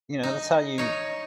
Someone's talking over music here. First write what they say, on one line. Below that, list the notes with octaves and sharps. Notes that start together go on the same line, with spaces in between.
You know, that's how you
D#4
D#4 C#5